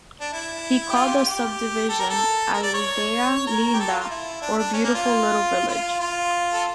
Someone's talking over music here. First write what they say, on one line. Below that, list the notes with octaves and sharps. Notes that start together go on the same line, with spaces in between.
He called the subdivision Aldea Linda or Beautiful Little Village.
D4
E4
G4
F4
G4
G4
G4
A4
A#4
A4
A#4
D5
C#5
A#4
G4
A4
F4
F4
E4
D4
D4
C#4
A#3
F4
F4
F4
A4